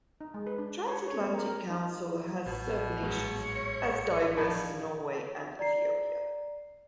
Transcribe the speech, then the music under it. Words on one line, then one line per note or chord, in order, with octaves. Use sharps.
Transatlantic Council has served nations as diverse as Norway and Ethiopia.
D#4
G#3
B4
D4
C#5
C#5
C4
A#4
A#4
D#4
A1 B2
B1 G#2 C#5
A#1 A2 G#6
D5 A#5 C7